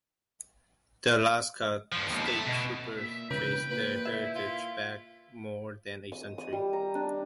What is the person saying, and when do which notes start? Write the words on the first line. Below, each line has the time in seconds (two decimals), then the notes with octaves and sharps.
The Alaska State Troopers trace their heritage back more than a century.
1.92 G2 F3
2.10 D#2 B2
2.26 E5 A5
2.47 B2
2.97 A#2 E5
3.31 E1 C#3 B4 G5
3.71 A#2 B4
4.05 E4 E5
4.36 F4
6.12 D#6
6.38 D#6
6.53 G3
6.73 A#5
6.95 D4